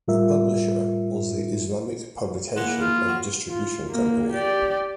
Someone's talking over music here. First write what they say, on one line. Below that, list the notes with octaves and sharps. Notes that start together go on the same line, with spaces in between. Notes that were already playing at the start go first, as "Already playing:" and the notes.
The publisher was the Islamic Publication and Distribution Company.
A2 G3 F4 A#4 E5
G#3 A#3 E4 F#5
F4
F#4
F4
A#3
G4 D5